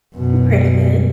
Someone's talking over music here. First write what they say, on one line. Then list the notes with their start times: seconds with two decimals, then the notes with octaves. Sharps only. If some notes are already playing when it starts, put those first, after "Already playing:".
M pretty good.
0.16 F#2 B2